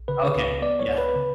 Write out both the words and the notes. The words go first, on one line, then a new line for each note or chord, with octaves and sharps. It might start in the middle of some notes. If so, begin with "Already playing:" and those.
Okay, yeah.
Already playing: A#1
C#3 B4
C#2
B3 D5
C#5
C#2
B4
C#3